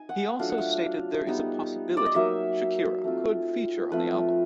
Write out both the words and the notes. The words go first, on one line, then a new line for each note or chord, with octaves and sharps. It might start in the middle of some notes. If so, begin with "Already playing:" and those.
He also stated there is a possibility Shakira could feature on the album.
Already playing: D#4 G#5
F#5
F#3 A3 D4 F4 F5
F#5
F5
G3 B3 D#4
D5
D#5
F#3 A#3 D#4 E5
A3 C4 F4
F3 A3 C4 F4 B4